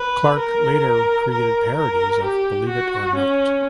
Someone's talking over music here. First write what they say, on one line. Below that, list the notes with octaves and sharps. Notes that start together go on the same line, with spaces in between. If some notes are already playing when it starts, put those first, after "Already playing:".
Clarke later created parodies of Believe It or Not!
Already playing: B4
A#4
A#4
A#4
G4
F#4
C#4